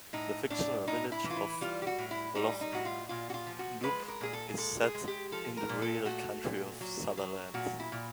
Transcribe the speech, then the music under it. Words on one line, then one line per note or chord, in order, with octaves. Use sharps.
The fictional village of Lochdubh is set in the real county of Sutherland.
A2 D#4
A2 D4
A2 D#4
E4
E3
F4
E4
G3 F4
G4
F#4
A2
E4
G3 D#4
D#4
A2 F#4
F4
A#2 F4
F#4
F4
F3
F#4
G#3 B4
A#4
A#2 G#4
A4
G#4
G#3 A4
G#4
G#3
G4
F3 A4
A#4
A#2
A4
A3 F#4
A#2
F#3
F#3
A#2 F#4
E4
A#2